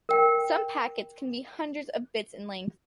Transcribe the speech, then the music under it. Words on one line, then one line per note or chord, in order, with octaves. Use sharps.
Some packets can be hundreds of bits in length.
A#4 G5